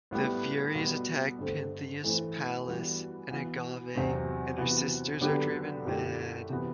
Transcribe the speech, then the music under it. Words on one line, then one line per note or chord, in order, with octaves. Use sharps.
The Furies attack Pentheus' palace and Agave and her sisters are driven mad.
A2 G3 B3 E4 G4
B2 G3 B3 F#4
G2 D3 A3 C4
A2 E3 A3 C4 E4
E3 G3 B3 F#4
E3 B3 F#4
E2 C3 F#3 C4
C3 E3 B3 F#4
D3 F#3 B3 D4 G4
F#2 D3 A3 E4 G4
C3 E3 B3 F#4